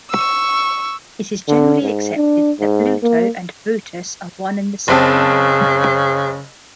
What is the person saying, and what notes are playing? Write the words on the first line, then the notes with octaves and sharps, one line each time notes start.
It is generally accepted that Bluto and Brutus are one and the same.
C#6 E6
D3
G#2
D4
G#2
A#3
F#1 C#3 C4 A5